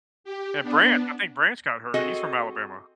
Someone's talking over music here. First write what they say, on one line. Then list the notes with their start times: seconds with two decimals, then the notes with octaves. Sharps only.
And Bran I think Branch got hurt. He's from Alabama.
0.24 G4
0.63 B3 D4
1.94 C4 F#4 G#4 A4 D#5